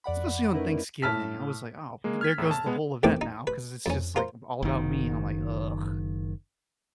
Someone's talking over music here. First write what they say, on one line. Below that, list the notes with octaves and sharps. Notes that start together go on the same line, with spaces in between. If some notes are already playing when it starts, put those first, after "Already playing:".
Especially on Thanksgiving, I was like, "Oh, th there goes the whole event now," 'cause it's just, like, all about me and I'm like, "Ugh."
F2 D5 F#5 B5
A3 C#4 D#4 E4 A#4 B4
A2 A5 F6 B6
G#3 A#3
F6 G#6 B6
E2 A2 E6
A5
G#3 B3
E2 A2 D#3 C4 D6
D#4
B4
F2 C#4
F4 A#4 C5
F#1 D#3